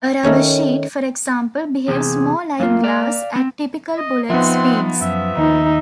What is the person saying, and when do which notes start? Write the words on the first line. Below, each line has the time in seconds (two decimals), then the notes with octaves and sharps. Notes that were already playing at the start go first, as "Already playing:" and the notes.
A rubber sheet, for example, behaves more like glass at typical bullet speeds.
0.23 D#3 A3 C#4 C#5
1.88 E2 C3 G#4
2.60 F#2 A#3 F4
2.84 D5 F5
3.36 C4
3.97 D#5
4.30 F3 B3 C4 D#4 E5 F#5 C6
5.01 F#2 E5
5.37 D#2 D#4